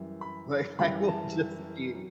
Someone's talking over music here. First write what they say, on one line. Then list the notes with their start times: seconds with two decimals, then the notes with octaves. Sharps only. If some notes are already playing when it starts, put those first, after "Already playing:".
Like, I will just be
Already playing: F#2 E3 G3
0.21 B5
0.79 F#2 E3 G3 B5
1.08 A5
1.95 F#3